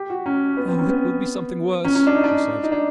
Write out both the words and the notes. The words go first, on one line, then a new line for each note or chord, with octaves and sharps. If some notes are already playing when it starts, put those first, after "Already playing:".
'Oh, it will be something worse,' she said.
Already playing: G4
F#4
C#4
B3
C4
C#4
B3
C#4
C#4
D4
D#4
D4
D#4
D4